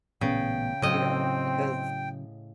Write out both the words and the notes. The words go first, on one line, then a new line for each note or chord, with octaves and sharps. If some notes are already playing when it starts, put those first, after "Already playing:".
you know, because
A1 A#2 C#3 B3 G5
A2 C#3 F#3 C4 D#5